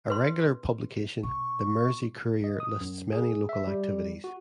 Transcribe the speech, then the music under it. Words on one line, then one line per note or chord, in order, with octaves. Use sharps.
A regular publication, the "Mersea Courier", lists many local activities.
B4 C6
B2 C#6
D#5
D#6
F#2
G#4
E5
G3
F#4